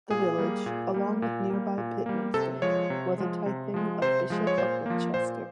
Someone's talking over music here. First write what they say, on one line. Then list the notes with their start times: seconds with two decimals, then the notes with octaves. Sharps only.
The village, along with nearby Pitminster was a tithing of Bishop of Winchester.
0.10 A#2 G#4
0.38 G3 A#3
0.66 A#2
0.94 G3 A#3
1.22 A#2
1.50 G3 A#3
1.78 A#2
2.06 G3 A#3
2.34 C3 A4
2.62 F3 G#3 C#5
2.90 C3
3.18 F3 G#3
3.46 C3
3.74 F3 G#3
4.02 C3 C5
4.30 F3 G#3
4.47 C#5
4.58 A#2 C5
4.86 F3 A#3
5.14 A#2 C5